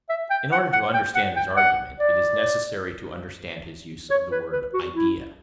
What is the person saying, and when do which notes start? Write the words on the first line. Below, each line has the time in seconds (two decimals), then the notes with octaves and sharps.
In order to understand his argument, it is necessary to understand his use of the word 'idea'.
0.09 E5
0.30 G5
0.51 F#5
0.72 F#5
0.94 G5
1.15 F#5
1.36 G5
1.57 F#5
2.00 D5
4.10 C#5
4.31 B4
4.52 B4
4.73 F#4
4.95 E4